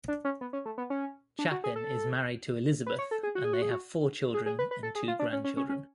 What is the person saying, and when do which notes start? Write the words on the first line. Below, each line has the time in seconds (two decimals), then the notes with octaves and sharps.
Chapin is married to Elizabeth and they have four children and two grandchildren.
0.08 D4
0.25 C#4
0.41 B3
0.53 C#4
0.66 A3
0.78 B3
0.90 C#4
1.39 D4
1.51 F#4
1.64 G#4
1.76 A4
2.87 B4
2.99 C#5
3.11 A4
3.23 G#4
3.35 F#4
3.44 G#4
3.53 F#4
3.62 G#4
3.71 F#4
4.34 G#4
4.46 G#4
4.59 B4
4.71 B4
4.83 A4
4.95 G#4
5.08 F4
5.19 D4
5.33 C#4
5.44 C#4
5.57 C#4
5.69 C#4